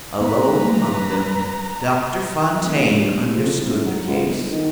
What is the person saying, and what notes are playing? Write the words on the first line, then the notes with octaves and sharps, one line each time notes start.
Alone among them Doctor Fontaine understood the case.
B3 B4 A#5
E1
A#1
G2
F#1
F2
C2
F#2
F#3
C#2
E2
G1
D#3